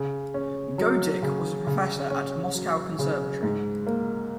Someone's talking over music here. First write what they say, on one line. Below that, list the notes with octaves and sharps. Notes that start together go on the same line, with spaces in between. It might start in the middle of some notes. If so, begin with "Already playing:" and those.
Goedicke was a professor at Moscow Conservatory.
Already playing: C#3
C#4
F#3
C#3
C#3
C#4
F#3
C#3
G#2
A#3